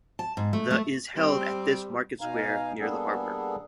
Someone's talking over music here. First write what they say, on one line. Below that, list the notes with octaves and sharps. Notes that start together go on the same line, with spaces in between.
The is held at this market square near the harbour.
A5
G#2
A3
A3
G3 C4
B2 D#4 F5 G#5 A#5
G3 A#3 B3 D4 G#4 A4